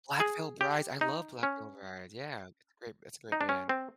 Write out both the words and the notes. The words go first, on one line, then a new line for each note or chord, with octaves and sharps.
Black Veil Brides. I love Black Veil Brides. Yeah. It's a great it's a great band.
G#4
G4
D#4
C#4
D#4
D4
C#4
C4